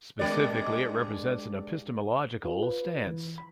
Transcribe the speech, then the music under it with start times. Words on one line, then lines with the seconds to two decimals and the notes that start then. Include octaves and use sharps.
Specifically, it represents an epistemological stance.
0.19 G2 G#3 D5
2.45 F4
2.63 B4
3.07 E3
3.38 B5